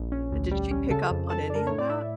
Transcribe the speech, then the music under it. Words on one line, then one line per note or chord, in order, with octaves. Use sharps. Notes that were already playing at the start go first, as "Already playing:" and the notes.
Did she pick up on any of that
Already playing: A#1
C#4
D2
G3
C#4
C#3 A4 A5
F2
F2 A4 A5
D4
A#4
A2 C#5
D5
A2 E4 E5